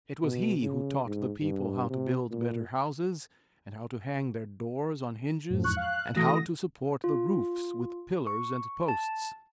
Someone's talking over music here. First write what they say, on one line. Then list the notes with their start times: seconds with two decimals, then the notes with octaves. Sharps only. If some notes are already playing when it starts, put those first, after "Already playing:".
It was he who taught the people how to build better houses and how to hang their doors on hinges and how to support the roofs with pillars and posts.
0.23 B2
0.61 C#3
1.05 G#2
1.41 G2
1.90 C3
2.31 A#2
5.50 F#2 A2 F3
5.64 E2 G#2 C#6 F#6
5.77 F5 F#6
6.16 E3 A3 F#4 D#6 A#6
7.04 F4
8.27 C#6
8.88 A5